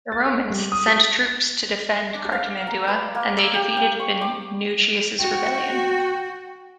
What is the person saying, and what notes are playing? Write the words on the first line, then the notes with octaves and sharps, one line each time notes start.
The Romans sent troops to defend Cartimandua, and they defeated Venutius' rebellion.
A6
G3
D#6
D4
F5
A#5
B4
A#3
E6
G4
G5
C#6
D6
F#4 G5